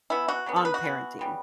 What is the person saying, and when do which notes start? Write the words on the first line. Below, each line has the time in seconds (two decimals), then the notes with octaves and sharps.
on parenting.
0.10 E3 B3 E4
0.28 F#4
0.46 C#3 F#3 B3
0.56 A4
0.65 B4
0.74 F#4
0.83 E3 B3
1.19 C#3 G3 B3